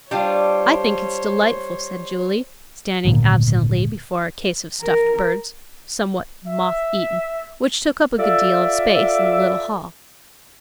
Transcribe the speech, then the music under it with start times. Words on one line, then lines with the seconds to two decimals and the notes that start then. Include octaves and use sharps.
"I think it's delightful," said Julie, standing absently before a case of stuffed birds, somewhat moth-eaten, which took up a good deal of space in the little hall.
0.11 G3 D4 F4 C5 C#5
3.05 G#1 D2 A#2 A#3
4.81 A#4
6.47 E5
8.18 F4 A4 D5 E5